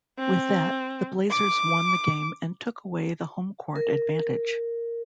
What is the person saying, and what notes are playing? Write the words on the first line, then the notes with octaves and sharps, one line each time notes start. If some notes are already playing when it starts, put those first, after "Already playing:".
With that, the Blazers won the game and took away the home-court advantage.
C4
D6
A#4